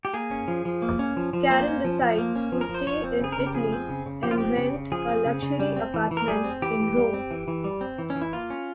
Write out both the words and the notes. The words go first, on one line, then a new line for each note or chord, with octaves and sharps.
Karen decides to stay in Italy and rent a luxury apartment in Rome.
G4
A#3 G#4
C#4
F3
F3
A#3
C#4
F3
F3
A#3 C5
C#4
F3
F3
A#3
C#4
F3
A#4
F3
C5
F3 C#5
C4
C#3 G#4
A#4
C#3
G4
F3 G#4
C4
C#3
C#3
F3 G4
F4
C4 G4
C#3
C#3
F3 G#4
C4
C#3
C#3
G3
C4
E3
E3
A#4
G3 G#4
C4
E3 G4
E3
G3
C4
E3
E3
G3
C4
E3
C#4
E3
E4
A#3 F4
C#4